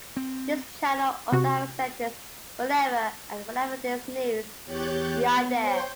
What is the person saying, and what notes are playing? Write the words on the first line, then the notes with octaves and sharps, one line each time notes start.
This channel also have sentence Whenever and wherever there is news, we are there.
C4
C3 F#4
E2 G4 C#5 F#6 G6 A6
B3
C5 C#5 G5 C6 G6